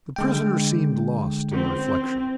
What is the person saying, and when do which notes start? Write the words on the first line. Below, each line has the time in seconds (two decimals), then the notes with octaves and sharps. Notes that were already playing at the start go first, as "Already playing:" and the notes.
The prisoner seemed lost in reflection.
0.16 D3 G#3 G5
1.52 C4